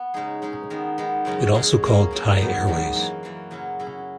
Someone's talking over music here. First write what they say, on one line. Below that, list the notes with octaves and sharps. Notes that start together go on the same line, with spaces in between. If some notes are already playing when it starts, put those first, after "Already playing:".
It also called Thai Airways.
Already playing: B3
C#3 G#3 D#4 G#4
C#3 G#3 D#4 G#4
D#3 G#3 B3
D#3 G#3 B3
F#2 C#3 G#3 C#4 G#4
F#2 C#3 G#3 C#4 G#4
B2 A#3 C#4
B2 A#3 C#4
G#2 D#3 F#3 B3
G#2 D#3 F#3 B3
F#2 E3 A#3
F#2 E3 A#3
C#3 F#3 C#4 E4
C#3 F#3 C#4 E4